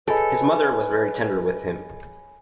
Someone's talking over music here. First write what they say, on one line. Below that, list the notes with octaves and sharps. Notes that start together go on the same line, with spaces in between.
His mother was very tender with him.
G#4 A4 B4 C#5 D#5 G#5 B5